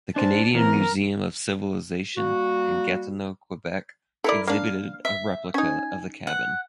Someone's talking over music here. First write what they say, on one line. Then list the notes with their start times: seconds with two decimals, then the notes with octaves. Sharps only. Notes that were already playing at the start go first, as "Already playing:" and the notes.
The Canadian Museum of Civilization in Gatineau, Quebec, exhibited a replica of the cabin.
0.16 D4 C5 A5
0.54 E3 B3 C4 A#4
2.17 G3 A#3 F#4
4.24 E4 A4 A#4 D5
4.47 A#3 D4 F5
5.05 E5
5.54 C#4 D#4 G#5
6.27 F#5